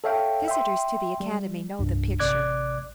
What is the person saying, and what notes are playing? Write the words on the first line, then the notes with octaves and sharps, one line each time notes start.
Visitors to the Academy know the picture.
A4 C#5 E5 F5 G5
E5 G5 C6
G3
C2 G2
A1 C3 D5 D6 F#6 G#6